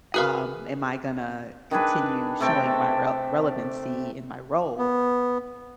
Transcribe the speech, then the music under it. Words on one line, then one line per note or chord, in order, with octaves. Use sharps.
um, am I gonna continue showing my rel relevancy in my role
F#4 G#4 A#4 B4 F5
D#3 D4 G#4 B4
C3 A3 A4 G5
B3